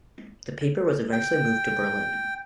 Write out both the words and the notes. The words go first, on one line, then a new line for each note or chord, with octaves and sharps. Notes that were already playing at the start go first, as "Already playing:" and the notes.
The paper was eventually moved to Berlin.
G5